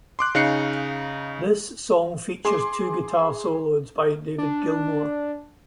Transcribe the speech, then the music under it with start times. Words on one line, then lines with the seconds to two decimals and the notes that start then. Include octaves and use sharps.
This song features two guitar solos by David Gilmour.
0.19 C6 D6 F#6
0.35 C#3 D#4 F5 F#6 C7 C#7
2.45 G#4 C6 D6
4.38 D4